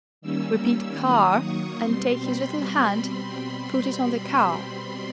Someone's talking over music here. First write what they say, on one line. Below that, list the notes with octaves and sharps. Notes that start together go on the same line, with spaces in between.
Repeat "car," and take his little hand, put it on the car.
D#3 G3 A#3 C#4 E6
D#3 F#3 A#3 D#6
C#6
B2 G3 C4 C6
B5